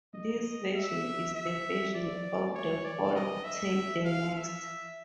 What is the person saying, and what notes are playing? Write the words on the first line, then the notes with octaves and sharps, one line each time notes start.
This version is the version of the folk tale the next.
D#5
E5
E5
D5
C#5
D5
D#5
E5
F5
E5